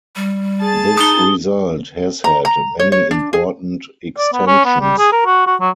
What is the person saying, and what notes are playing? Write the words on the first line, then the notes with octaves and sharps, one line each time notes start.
This result has had many important extensions.
G3
G#4 A5 A6
D#4 D#6 G7
A#5
A#5
C#5
C#5
D4
G#4
D5
B3
C#4
B3
G3
G#4
A#4
F#4
F#4
F#3